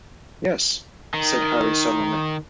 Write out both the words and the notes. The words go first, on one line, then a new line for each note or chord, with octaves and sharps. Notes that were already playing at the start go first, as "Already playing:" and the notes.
"Yes," said Harry sullenly.
D#3